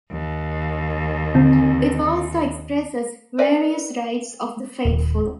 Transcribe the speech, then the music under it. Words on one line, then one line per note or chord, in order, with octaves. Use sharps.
It also expresses various rights of the faithful.
D#2
D3 C4
A#4 B4 D5 E5 G#5
D#1